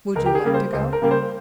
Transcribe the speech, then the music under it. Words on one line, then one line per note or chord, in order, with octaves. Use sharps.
"Would you like to go?"
C#2 A#4
G4
G#4
C#3 G3 A#3
C5
C#2 C5
A#4
C#3 G3 A#3
C5